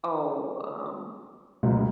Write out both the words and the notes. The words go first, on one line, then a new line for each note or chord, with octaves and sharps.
"Oh, um,
C#2 F#2 B2